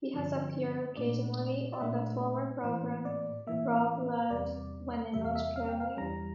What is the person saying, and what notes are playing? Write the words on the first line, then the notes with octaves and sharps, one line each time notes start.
He has appeared occasionally on the former program "Rove Live" when in Australia.
G2 D3 F3
A#2 A3 D4 D5
D5
A#2 A3 D4 E5
A2 E3 A#3 C5
D5
A2 E3 A#3 E5
E2 C3 G3 D5
E2 C3 G3 E5
F5
E5
F5
G5
F5
E2 E3 G3 A#5